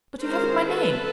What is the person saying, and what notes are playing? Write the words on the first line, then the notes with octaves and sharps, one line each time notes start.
But you haven't my name.'
D#3 G#3 C#4 A#4 C5
A4 B4